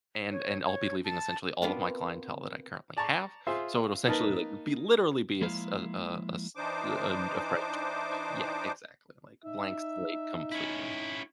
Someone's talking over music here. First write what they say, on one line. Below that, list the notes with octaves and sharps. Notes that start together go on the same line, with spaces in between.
And and I'll be leaving essentially all of my clientele that I currently have, so it'll essentially, like, be literally be a s a a a s uh, und a fresh start. Yeah, exactly, like, blank slate completely,
C#5
C#5
A5
B3 C4 D4 F4 F#4 A#4
D5 A5 A#5 C#6
F4 G#4 C5 E5
A#3 D#4 A#4 B4 A5
F3 G#3 A#3 E4 F5
E3 D4 D#4 C5 D6
D#4 E5
C#4 E4